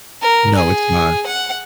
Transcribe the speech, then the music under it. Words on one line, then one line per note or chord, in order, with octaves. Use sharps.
No, it's not.
A#4
G#4
F#5